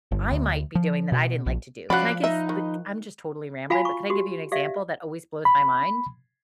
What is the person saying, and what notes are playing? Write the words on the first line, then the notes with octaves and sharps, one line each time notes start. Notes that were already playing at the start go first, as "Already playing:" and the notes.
I might be doing that I didn't like to do. Can I give s like, I'm just totally rambling, but can I give you an example that always blows my mind?
G1
D2
F3
B2
A#1
F3 C#4 F#4 D5 F5 B5 F#6
D#4 E5
D#3
F4 F#4 F5 G#5 A5 B5
C#6
F#4 G4
G4 D5 E5 F5
B5